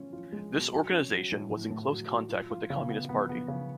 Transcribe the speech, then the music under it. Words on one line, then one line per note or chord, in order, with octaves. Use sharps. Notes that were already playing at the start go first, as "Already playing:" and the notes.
This organisation was in close contact with the Communist Party.
Already playing: C#4 F4
F4
G#3
B2
F#3
C#4
F#3
A2
A2
A2
F#3
F#3
F4
F4
C#3
B3
B3
B3
C#3